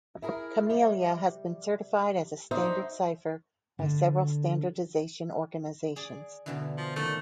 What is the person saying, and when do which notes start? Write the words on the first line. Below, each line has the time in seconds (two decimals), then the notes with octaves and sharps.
Camellia has been certified as a standard cipher by several standardization organizations.
0.22 E4 G#4 A#4
0.70 C3 G3
2.51 D4 D#4 F#4 C5 D#5 E5
3.79 D3
5.96 G#4 D5
6.46 B2 D3 E3
6.77 F3
6.96 A#2 D#3 F3 A3